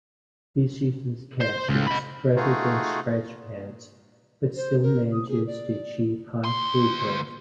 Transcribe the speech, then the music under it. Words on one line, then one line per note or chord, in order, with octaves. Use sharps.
This uses caches rather than scratchpads, but still manages to achieve high throughput.
C5
C#2
D#5 B5
A3 D#4 F4 F#4 G#4
C5
A#4
D#6
G#4
D5
D2 C6